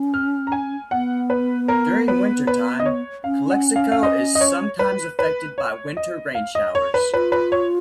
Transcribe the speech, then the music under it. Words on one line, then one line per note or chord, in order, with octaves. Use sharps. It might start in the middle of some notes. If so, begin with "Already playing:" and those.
During winter time, Calexico is sometimes affected by winter rain showers.
Already playing: C#4
F6
A#5
G#5
B3 F#5
B4
A#4
B4
B4
D#5
C#5
C#4 F5
F#5
F5
F5
D#5
D#5
C#5
B4
B4
C#5
D#5
F5
D#5
C#5
B4
F4 B4
B4
C#5